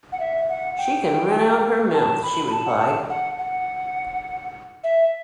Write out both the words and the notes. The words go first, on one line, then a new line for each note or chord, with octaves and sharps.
'She can rent out her mouth,' she replied.
F#5
E5
F#5
G5
A5
B5
B5
A5
F#5
A5
F#5
F#5
E5